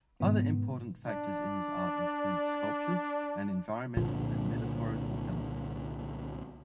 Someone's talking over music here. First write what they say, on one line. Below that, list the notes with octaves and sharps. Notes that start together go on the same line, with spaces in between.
Other important factors in his art include sculptures, and environmental and metaphorical elements.
G#2 B2 D#3 B3
D4 D5
C2 A#2 D3 F3